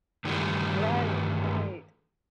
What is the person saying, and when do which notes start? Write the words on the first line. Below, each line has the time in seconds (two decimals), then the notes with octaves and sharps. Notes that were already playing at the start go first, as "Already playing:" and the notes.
right, right.
0.25 G2 D#3 E3 G3 A3